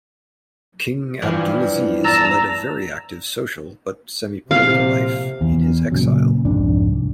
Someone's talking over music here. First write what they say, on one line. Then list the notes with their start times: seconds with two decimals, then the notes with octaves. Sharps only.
King Abdulaziz led a very active social, but semi-political life in his exile.
1.22 G2 E3 F3
2.04 E2 A5 A#5 E6
4.51 A#1 C3 F5
5.41 E2
5.92 A#2 C#3 F#3
6.45 C2 F2 G#2 D4